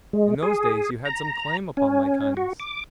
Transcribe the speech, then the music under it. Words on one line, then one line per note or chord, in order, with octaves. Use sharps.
In those days you had some claim upon my kindness.
G#3
G#4
A#5
C#4
F#4
D6